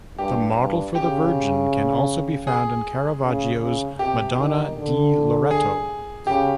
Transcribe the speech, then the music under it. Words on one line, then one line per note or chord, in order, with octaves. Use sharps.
The model for the Virgin can also be found in Caravaggio's "Madonna di Loreto".
G2 G4
G2
C#3 G4
G#4
C#3
C#3
C3 G4
D#3
D3
G#4
C#3 G4